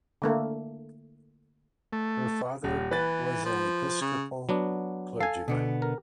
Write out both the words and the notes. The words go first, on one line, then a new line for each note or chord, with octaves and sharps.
Her father was an Episcopal clergyman.
D3 A3 A#3
A3
D#1
E3 B4 A6
F3
C#3
F#3 B3 D4
A4 F5 G#5
B2 D3 B3
A#4